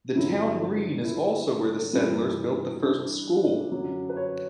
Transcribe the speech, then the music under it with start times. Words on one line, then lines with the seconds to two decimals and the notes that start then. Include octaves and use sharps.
The Town Green is also where the settlers built the first school.
0.15 G2 D3 F#3 E4
1.04 E4
1.93 G2 E3 G3 E4
2.82 D4
3.72 F#2 D3 F#3
4.09 B4
4.16 C#5